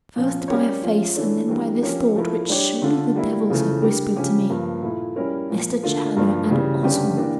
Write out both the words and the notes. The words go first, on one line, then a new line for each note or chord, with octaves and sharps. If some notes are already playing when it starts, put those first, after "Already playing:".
First by a face and then by this thought which surely the devils have whispered to me. Mr. Challoner and Oswald!
A#2 F3 C#4
G3 C#4 G4 A#4 C#5
F3 C#4 F4
E3 A3 D4 A4 C#5
E3 G3 A#3 D4
F3 C#4 G4 A#4 C#5
F3 A3 E4 A#4
G3 D4 G4 C#5
D3 A3 D4 F4 A4
G3 A#3 E4
F2 C#3 E3 A3
G3 D4 G4 A#4
C#3 F3 C#4 G4
G2 F3 A#3
A#2 A3 E4
G3 C#4 E4 A#4 C#5
A#2 F3 A#3
D3 A3 D4 F4 A#4
G2 F3 A#3 D4 F4
C#3 E3 G3
G2 D3 G3 C#4 G4
E3 A#3 D4 G4